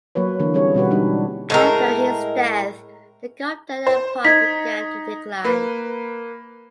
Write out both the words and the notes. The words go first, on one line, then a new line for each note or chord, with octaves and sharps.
After his death, the Gupta empire began to decline.
F#3 A#3 B4 C#5
D3 E3 A#3 D4
G3 C4 C#4 G#4 C#5
B2 G3 F#4 B4
G3 G#3 D4 D#4
A2 G#3 A#4
C5
D#4 G#6 B6
A#3 B4